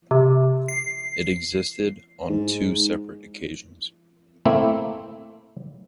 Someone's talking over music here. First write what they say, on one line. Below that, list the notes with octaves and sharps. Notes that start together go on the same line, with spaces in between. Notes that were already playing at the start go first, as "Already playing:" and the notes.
It existed on two separate occasions.
C3
C7
G#2
A3 A#3 C4 E4